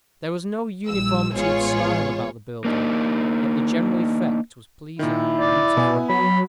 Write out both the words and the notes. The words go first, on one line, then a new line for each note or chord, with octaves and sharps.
There was no uniformity of style about the building, yet the general effect was pleasing and beautiful.
A#1 E3 G3 E6
A1 G#3 B3 F4 G#4 C#5
A#3 D4 D#4
A#2 D#3 E4
D5
B2 B3 G#5
F#3 B5